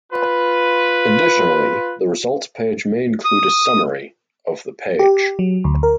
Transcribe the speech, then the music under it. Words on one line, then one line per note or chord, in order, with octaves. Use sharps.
Additionally the results page may include a summary of the page.
F4 B4
D#6
G4
F#3
D2
A#4